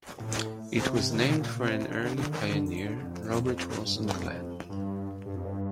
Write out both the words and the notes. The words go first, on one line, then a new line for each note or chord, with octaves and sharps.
It was named for an early pioneer, Robert Wilson Glenn.
A2
C3
D#3
D3
C3
A#2
C3
D3
D3
D#3
D3
D3
D3
F2
F2
G2
A2
G2
F2
G2
G2
F2
G2